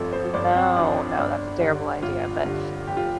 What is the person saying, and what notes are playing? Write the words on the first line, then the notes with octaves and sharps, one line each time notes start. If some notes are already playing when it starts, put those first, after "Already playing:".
No, no, that's a terrible idea, but
Already playing: G1 F2 F3 A4
C5
G1 D5
C4
F2 F3 D4
G1 D4
G2 D3
G1 F4
G2 D3
F1 G4
F4